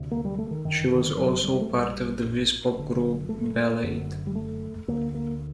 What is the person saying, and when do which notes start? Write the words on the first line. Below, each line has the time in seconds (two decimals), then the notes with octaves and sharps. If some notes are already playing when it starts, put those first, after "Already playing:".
She was also part of the vispop group Ballade!.
Already playing: D2 C3
0.11 A#3
0.25 G3
0.38 A3
0.51 D#3
0.65 G1 F#2 D3 D#3
0.91 D#3
1.17 F#3
1.44 G3
1.61 A3
1.70 A#1 A#2 G3
2.76 F#1 F#2 D3
3.29 A3
3.82 F#1 F#2 D3
4.27 G3
4.35 A3
4.88 D2 D3 A#3
5.15 A#3